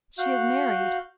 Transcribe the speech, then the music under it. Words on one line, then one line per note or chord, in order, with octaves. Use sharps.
"She is married."
F#4 F5 F#6 G6